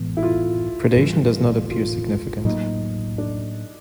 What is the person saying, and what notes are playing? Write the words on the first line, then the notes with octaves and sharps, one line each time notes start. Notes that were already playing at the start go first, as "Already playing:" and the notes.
Predation does not appear significant.
Already playing: A2 E3 G#3 B3
E4
F4
A2 E3 G3
F4
A2 F#3 A#3 D#4
D4